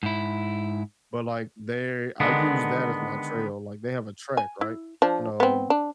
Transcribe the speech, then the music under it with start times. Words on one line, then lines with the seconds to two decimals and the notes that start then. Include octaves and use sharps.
but, like, they I use that as my trail, like, they have a track, right, and, um,
0.03 G#2 E4
2.20 D3 D#3 G#3 B3
4.37 G#5
4.61 E4
5.02 F3 D4
5.40 B3 C4
5.70 D4